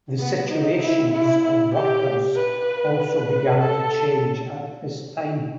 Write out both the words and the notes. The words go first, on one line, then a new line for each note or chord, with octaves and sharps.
The situations of workers also began to change at this time.
B3
D#4
E4
E4
E4
G4
B4
B4
A4